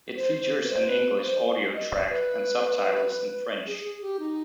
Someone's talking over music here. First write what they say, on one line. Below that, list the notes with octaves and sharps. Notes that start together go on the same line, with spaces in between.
It features an English audio track and subtitles in French.
C5
C5
B4
C5
B4
C5
D#5
D5
B4
G#4
G#4
G4
D#4